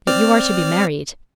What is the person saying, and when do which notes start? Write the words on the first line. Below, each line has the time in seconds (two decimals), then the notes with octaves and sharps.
'That you are to be married.
0.07 C4 D5 F6